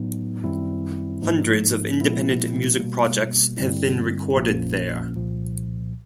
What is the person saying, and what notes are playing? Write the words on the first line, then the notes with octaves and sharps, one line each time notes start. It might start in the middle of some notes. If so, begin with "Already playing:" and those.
Hundreds of independent music projects have been recorded there.
Already playing: A2 F#3 B3 D#4
F#2 D#3 G3 C4 E4
G#2 F3 A#3 D#4
A#2 F3 G#3 B3 E4
B2 G3 A#3
G2 D3 G3 C4 E4
A#1 A#2 F3 A#3 C#4
C2 A#2 F3